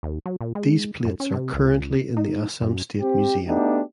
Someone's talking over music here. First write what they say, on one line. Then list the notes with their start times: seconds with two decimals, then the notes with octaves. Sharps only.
These plates are currently in the Assam State Museum.
0.03 D#2
0.26 F#3
0.41 A#2
0.55 G#3
1.05 F#2
1.20 C#4
1.34 C3
1.54 C#2
2.17 D#4
2.62 F#2
3.01 C4 G4
3.47 A3 B3 D4 D#4 F#4 G4